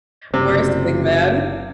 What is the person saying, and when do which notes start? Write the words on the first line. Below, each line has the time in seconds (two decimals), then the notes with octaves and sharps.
worst wingman,
0.34 F#1 C3